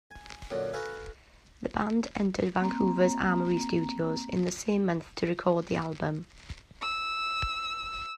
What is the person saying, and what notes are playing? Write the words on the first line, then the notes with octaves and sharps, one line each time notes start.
The band entered Vancouver's Armoury Studios in the same month to record the album.
G#5
F#2 A#2 D3 F#3
D#4 F#4 A4 B4 F5 G#5
A#3 C4 A#5
E6